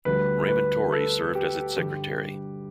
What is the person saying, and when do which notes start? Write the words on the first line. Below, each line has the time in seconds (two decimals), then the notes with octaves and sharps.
Raymond Torrey served as its Secretary.
0.05 D2 D3 G3 B4
0.48 B4
0.92 A4
1.35 G4
1.77 G2 D3 G3 G4